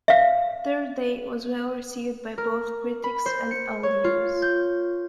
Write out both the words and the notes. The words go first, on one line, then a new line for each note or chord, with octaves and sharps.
"Third Day" was well received by both critics and audience.
E5 F5
A#4
B5
C5
C#7
C#5
F4
G6